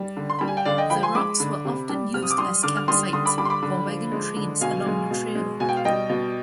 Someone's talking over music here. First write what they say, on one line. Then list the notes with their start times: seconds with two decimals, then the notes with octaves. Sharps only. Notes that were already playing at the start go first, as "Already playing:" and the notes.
The rocks were often used as campsite for wagon trains along the trail.
Already playing: G3
0.17 D3
0.30 C6
0.39 G3 B5
0.48 G#5
0.57 G5
0.65 D3 D5 F5
0.78 D#5 G5
0.90 F3 G5 B5
1.03 G#5 C6
1.15 G#3 B5 D6
1.40 D3
1.65 C3
1.89 G3
2.14 C3 F6
2.23 D#6
2.31 D6
2.38 G3 C6 D#6
2.63 D3 D6 F6
2.77 F6
2.88 G3 C6 D#6
3.13 D3 C6 D#6
3.25 B5 D6
3.38 G3 B5 D6
3.45 C6
3.50 B5 D6
3.62 D3
3.87 F3
4.12 G#3
4.36 D3
4.61 B2 F5 G#5
4.86 G#3
5.11 B2
5.35 G#3
5.60 B2 G#5
5.69 G5
5.77 F5
5.85 G3 D#5 G5
6.10 B2